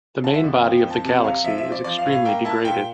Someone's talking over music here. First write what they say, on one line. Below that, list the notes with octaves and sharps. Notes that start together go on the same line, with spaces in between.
The main body of the galaxy is extremely degraded.
D3 A5
E5
F2 D5
E5
F3 G5
G5
F2
A5
C3 A5
C2 F5
F3 E5
E5
C4
D5
F3 D5
F5
A2
F5
A#3 G5
E4 A5
A#2 G5